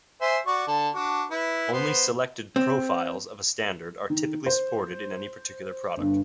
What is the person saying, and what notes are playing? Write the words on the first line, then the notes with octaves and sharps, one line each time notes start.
Only selected "profiles" of a standard are typically supported in any particular product.
C5 E5 G#5
F#4 D5 C#6
D3 A5
D4 F#4
E4 B4
B3 C5
C4
D#3
C5
G1 G2